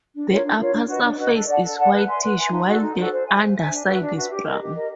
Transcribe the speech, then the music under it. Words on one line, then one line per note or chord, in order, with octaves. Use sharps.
The upper surface is whitish while the underside is brown.
D4
F4 A#4 C#5
D4
F4 A#4 C#5
D4
F#4 B4 D#5
D4
F#4 B4 D#5
A4
D5 F#5 A5
A4
D5 F#5 A5
B4
E5 G#5 C6
B4
E5 G#5 C6
D#4
F#4 A4 D5
D#4
F#4 A4 D5
C5
E5 G#5
C5
E5 G#5
D4
F#4 B4 E5
D4
F#4 B4 E5
G4
A#4 D#5
G4
A#4 D#5